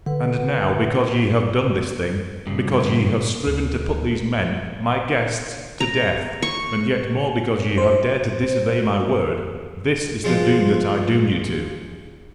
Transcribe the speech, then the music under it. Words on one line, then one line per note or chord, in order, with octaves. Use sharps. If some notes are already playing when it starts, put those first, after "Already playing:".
And now, because ye have done this thing, because ye have striven to put these men, my guests, to death, and yet more because ye have dared to disobey my word, this is the doom that I doom you to.
D3 B4 F#5
G2 C#3
D2
A#5
C#6
C5
F3 G#3